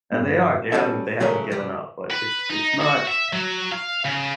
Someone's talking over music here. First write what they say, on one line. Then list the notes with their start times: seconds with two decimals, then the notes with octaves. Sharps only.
And they are. They haven't they haven't given up, but it's it's not
0.12 G2
0.72 G3 G#3 C#4 F#4 A4 E5
1.20 C#3 F#3 A3 C#4 A#4
1.52 C2 G3
2.11 B4
2.50 D#4
2.81 F#4
3.07 E5
3.33 F#3
3.72 F5
4.06 C#3